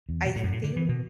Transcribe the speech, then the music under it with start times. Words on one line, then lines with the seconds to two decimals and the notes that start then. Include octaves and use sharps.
I think
0.09 E2
0.26 B2
0.36 A2
0.43 F#2
0.52 A2
0.63 D3
0.76 E3
0.89 B2